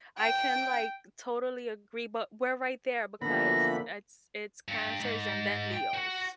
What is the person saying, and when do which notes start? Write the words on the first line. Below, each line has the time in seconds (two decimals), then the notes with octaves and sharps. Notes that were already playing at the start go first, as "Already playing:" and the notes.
I can like totally agree but we're right there because it's it's Cancers and then Leos.
0.19 G5
3.22 D3 E3 F3 A#3 B3 A4 B5 A#6
4.68 G2
5.00 G#2
5.74 G5
5.94 F#4